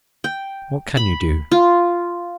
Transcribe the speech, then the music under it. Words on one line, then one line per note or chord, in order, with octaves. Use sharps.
"What can you do?"
G5
B5
F4